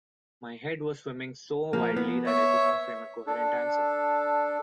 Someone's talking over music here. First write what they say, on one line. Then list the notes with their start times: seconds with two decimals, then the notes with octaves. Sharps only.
My head was swimming so wildly that I could not frame a coherent answer.
1.73 F3 A#3
1.96 B3
2.26 C#5 E5
3.27 D4 A4